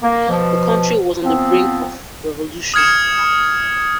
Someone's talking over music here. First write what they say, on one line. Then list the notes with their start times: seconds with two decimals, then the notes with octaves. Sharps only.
The country was on the brink of revolution.
0.02 A#3
0.29 B2 F3
1.23 F3 B3 C4
2.74 D#6 F6 G#6 C#7 E7